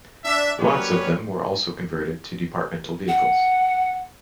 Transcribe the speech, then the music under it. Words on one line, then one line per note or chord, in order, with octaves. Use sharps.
Lots of them were also converted to departmental vehicles.
D4 E5
F#3 G3 A#3 C#4 B4 C#5
F#5